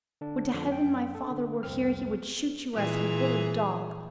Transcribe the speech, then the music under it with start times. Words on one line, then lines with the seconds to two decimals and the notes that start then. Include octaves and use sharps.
Would to heaven my father were here, he would shoot you as he would a dog!
0.21 D3 D4
0.53 F2 D3 F3
0.70 F#2 G5
1.15 A4
1.31 D3
1.63 C2 F2 C4 F6
2.73 A#2 E3 G#4